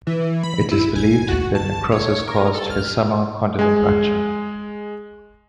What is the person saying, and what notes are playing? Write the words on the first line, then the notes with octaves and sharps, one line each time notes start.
It is believed the necrosis caused his summer condylar fracture.
E3
B5
E4
G#5
F#4
A5
C#5
A#4
A4
F6
G#3 G#5